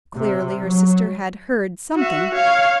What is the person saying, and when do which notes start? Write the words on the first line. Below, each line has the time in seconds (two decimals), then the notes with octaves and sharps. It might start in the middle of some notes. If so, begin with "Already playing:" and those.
Clearly her sister had heard something.
0.15 C3
0.63 F#3
1.96 F#4 E5
2.35 C#5 F5